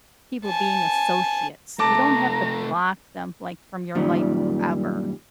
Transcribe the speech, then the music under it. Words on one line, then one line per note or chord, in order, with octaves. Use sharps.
people being associates. You don't have to block them, like, from your life forever.
G#5 A5
C3 A3 A5 A#5 D6
F#2 A#2 D#3 G3